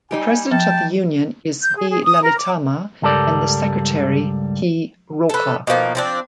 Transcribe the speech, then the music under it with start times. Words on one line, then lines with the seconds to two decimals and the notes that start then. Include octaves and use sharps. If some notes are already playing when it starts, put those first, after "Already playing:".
The president of the union is B. Lalitamma and the secretary P. Roja.
0.11 G3 D#4 G4 G#5
0.51 F3 G5 A5
1.62 G6
1.77 G#4
1.90 G#4
2.04 D#6
2.22 A#4
2.39 D6
3.02 C#2 G2 G3 A4 A#4 D5
5.30 A4 B4
5.67 B2 D#3 F3 A#3
5.95 F3 C4 D4